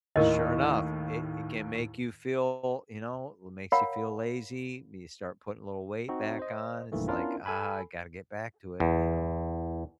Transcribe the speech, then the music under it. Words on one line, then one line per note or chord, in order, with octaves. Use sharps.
sure enough, it it can make you feel, you know, it makes you feel lazy, you start putting a little weight back on, it's like, "Ah, I gotta get back to it," you know?
D#2 A2 D#3 A#4 D#5
A#4 C#5 F5 F#5 A#5 B5
C4 D#4 F#4
C5 D#5
B1 G2 D#3 E3 A3 A#3
B3 C#4 D4 E4 F4 A#4
A4 G#5 B5
E2